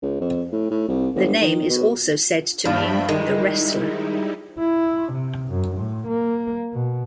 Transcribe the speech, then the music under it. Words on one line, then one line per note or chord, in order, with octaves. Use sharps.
The name is also said to mean "the wrestler".
C#2
F2
A2
A2
C2
G1
D#3
B2
G2 F3 E5 G5 B5
D#3 G3 G#3 D#4 E4
E4
C3
F#2
A2
A#3
B2